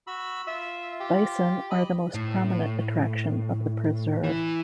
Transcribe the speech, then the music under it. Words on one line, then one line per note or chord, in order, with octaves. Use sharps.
Bison are the most prominent attraction of the preserve.
F#4 B5 E6
F4 E5
G4
D#5 B5
A2
E3